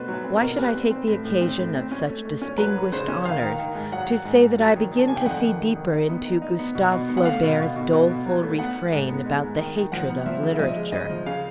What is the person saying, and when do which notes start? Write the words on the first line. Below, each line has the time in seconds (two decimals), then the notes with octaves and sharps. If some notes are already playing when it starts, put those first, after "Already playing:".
Why should I take the occasion of such distinguished honours to say that I begin to see deeper into Gustave Flaubert's doleful refrain about the hatred of literature?
Already playing: B2 A3 B4 C5
0.08 F#3
0.14 B4
0.24 C4
0.36 B2 A#4
0.58 G3 B4
0.75 C4
0.91 C4
1.08 A2
1.25 A2
1.41 C4
1.58 A2
1.75 C4
1.91 C#4
2.08 A3
2.25 A3
2.42 C#4
2.58 F#3 B4
2.74 F#3
2.92 C#3 C5
3.08 C#4
3.25 D#3 F5
3.41 D#3
3.59 D#3
3.75 G#2
3.92 F#3 F#5
4.08 F#3
4.25 G#2
4.41 G#2
4.58 F#3
4.76 D#3
4.91 D#3
4.98 A5
5.07 C3 G#5
5.16 G5
5.25 F2 F#5
5.41 D#3
5.59 D#3
5.75 D#3
5.93 D#4
6.09 B3
6.25 D#4
6.42 D#4
6.59 B3
6.75 B2
6.92 B2
7.09 B3
7.17 F#5
7.25 A3 F5
7.43 B2
7.59 B2
7.76 B2
7.93 B2
8.10 B2
8.25 F#3
8.43 A3
8.59 B3 F#5
8.75 B3
8.92 G#2
9.09 B3
9.26 G#3
9.43 G#2
9.59 D#3
9.76 D#3
9.92 F3 F#5
10.10 B3
10.26 F3 E5
10.42 C#3
10.54 E5
10.59 F3 D#5
10.76 G#3
10.92 C#3 D#5
11.09 F3
11.26 C#3 F5